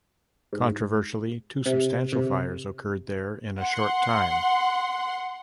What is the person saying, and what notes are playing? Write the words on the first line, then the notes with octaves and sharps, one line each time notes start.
Controversially two substantial fires occurred there in a short time.
G#2
C3
C3
F#5 C6